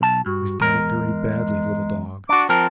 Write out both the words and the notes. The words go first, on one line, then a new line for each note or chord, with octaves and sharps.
'We've got it very badly, little dog!
B1 A5
G2 F#4
E2 G#3 A#4
D4 F#4 D6
F3 C4 A#4 A5